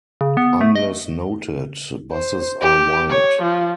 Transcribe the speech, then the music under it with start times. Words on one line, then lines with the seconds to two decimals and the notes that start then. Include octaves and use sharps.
Unless noted, buses are wide.
0.21 C#3
0.37 B3
0.61 A3
0.75 D#5
2.11 C5
2.61 G4
3.09 C#5
3.43 F3